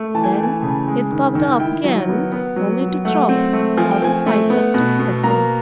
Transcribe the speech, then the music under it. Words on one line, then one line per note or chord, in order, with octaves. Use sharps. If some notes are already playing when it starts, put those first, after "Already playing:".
Then it bobbed up again, only to drop out of sight just as quickly.
Already playing: A3
E3 A5
G#5
G5
E3 G#5
C#3
G#3
D#3
D#3
E4 G5
F#3
B3
B3
F#3
F#3
A3 F#5
C4
A3
F3 G#5
G5
F3 G#5
A3
B3
B2
B2
A#3 A#5